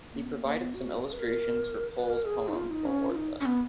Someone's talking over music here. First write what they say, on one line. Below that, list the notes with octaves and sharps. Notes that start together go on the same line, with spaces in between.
He provided some illustrations for Pol's poem 'Mohorta'.
A#3
B3
A#3
A#3
B3
F#4
G#4
B4
A#4
B4
A#4
G#4
D#4
F4
D#4
C#4
F4
D#4
C#4
B3